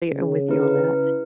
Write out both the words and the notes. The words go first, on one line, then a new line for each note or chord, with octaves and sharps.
am with you on that.
C#3
E4 B4